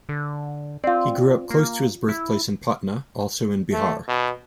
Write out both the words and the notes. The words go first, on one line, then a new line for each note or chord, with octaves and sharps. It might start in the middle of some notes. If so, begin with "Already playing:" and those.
He grew up close to his birthplace in Patna, also in Bihar.
D3
C4 F4 D5
A#3
E4
A3
B2